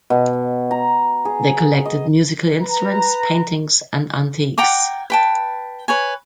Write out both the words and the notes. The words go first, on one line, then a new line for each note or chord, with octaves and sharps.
They collected musical instruments, paintings and antiques.
B2
A#5
G#4
D#5
B4 A#5
F#5 G5 A#5 D6
B4 G5 A5
B4 C#5 G#5